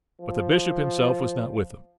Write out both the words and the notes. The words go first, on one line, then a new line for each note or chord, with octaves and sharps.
But the Bishop himself was not with them.
F3